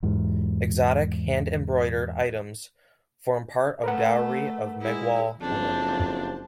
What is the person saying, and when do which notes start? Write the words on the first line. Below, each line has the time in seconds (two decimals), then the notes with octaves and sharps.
Exotic hand-embroidered items form part of dowry of Meghwal woman.
0.03 E2 G#2
3.84 A3 A#4 B4 F#5
4.82 G#3 E4
5.41 F#1 F2 C4 D4 A5